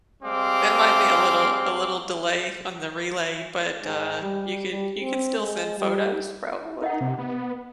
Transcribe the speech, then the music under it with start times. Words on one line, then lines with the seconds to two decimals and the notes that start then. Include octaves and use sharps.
there might be a little a little delay on the relay, but, uh, you could you could still send photos, probably.
0.23 G3 G#3 C4 F5 D6
3.81 G#2
4.22 G3
4.71 G3
5.00 C4
5.39 G#3
5.79 G3
6.81 D#4 A#4 D#5 F#5
7.01 C3
7.18 B3